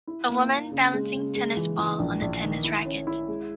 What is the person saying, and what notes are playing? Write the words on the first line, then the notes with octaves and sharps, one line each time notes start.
A woman balancing tennis ball on a tennis racket.
E4
A#3
A#3
C#3
G#3
C#3
G#3
E3
E3
A#1
A#1
D#3
E4
C#4
E4
G#3